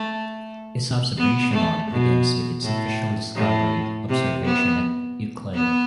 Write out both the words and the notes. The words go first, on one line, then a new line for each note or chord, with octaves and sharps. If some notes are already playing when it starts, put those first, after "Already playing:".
Its observation arc begins with its official discovery observation at Uccle.
Already playing: A3
B3
A3
B2
A2
A2
C3
B3
B3